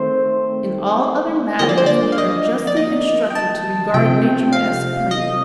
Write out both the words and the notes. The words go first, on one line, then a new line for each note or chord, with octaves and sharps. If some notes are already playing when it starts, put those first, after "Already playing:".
In all other matters we are justly instructed to regard Nature as supreme.
Already playing: D#3 A3 C4 C5
D3 F3 A#3 D#5
D5
C5
D5
F5
D#5
D5
D#5
G5
A5
C3 F3 A3 C4 G5
F5
D#5